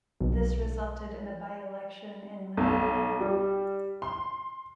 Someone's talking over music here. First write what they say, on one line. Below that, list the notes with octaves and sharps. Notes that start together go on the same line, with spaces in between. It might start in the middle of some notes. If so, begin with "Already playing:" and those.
This resulted in a by-election in Manihiki.
B1
B1
G3
C6